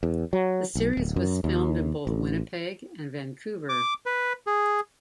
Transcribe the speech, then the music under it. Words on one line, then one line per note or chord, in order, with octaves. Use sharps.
The series was filmed in both Winnipeg and Vancouver.
E2
F#3
B1
D1
F#2
D#2
A1
D6
B4
G#4